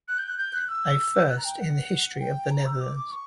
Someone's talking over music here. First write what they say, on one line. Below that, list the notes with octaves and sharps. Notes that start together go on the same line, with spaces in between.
A first in the history of the Netherlands.
F#6
G6
F#6
G6
F#6
E6
F#6
A#5
G5
F#5
G5
A#5
E6
D6
D6
C#6